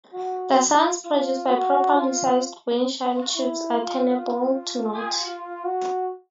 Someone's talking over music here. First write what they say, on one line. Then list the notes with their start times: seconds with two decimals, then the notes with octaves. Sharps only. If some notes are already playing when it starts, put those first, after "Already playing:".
The sounds produced by properly sized wind chime tubes are tunable to notes.
0.13 F#4
1.05 F4
1.52 F#4
1.97 F4
3.36 E4
3.81 F4
4.28 F4
5.66 F#4